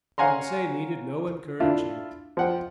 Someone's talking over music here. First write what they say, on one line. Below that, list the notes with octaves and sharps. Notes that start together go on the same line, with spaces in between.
Conseil needed no encouraging.
C#5 F5 F#5 G#5 A#5 C6
D4 E4 F4
F3 F#5 G5